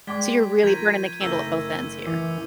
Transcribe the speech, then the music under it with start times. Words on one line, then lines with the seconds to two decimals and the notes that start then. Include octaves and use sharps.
so you're really burning the candle at both ends here.
0.07 G#3 D5 G5 D6 G#6 B6 G7
0.63 F3 A#4 G6 G#6 D#7
1.21 F#1 A3 A#4 E6 G6 G7
2.07 E3 D6 C#7